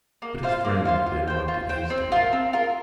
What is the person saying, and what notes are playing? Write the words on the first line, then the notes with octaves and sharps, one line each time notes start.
But his friend had interrupted hastily.
A#3
F4 C5 F5
A#3
F4 C5 F5
F4
C5 G5
F4
C5 G5
C4
F4 A#4
C4
F4 A#4